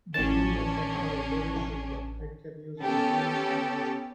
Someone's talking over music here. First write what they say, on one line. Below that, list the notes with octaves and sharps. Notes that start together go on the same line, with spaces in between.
The two weapons are very similar and can use the same ammunition.
A1 C#4 D4 A5
B3 C#4 G4 A4